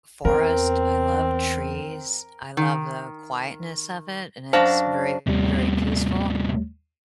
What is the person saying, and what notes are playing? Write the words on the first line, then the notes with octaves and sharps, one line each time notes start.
forest, I love trees, I love the quietness of it, and it's very, very peaceful,
E2 C4 A#4
D#3
F#2 D4 C5 F5 A5 A#6
D#2 A2 C3 G3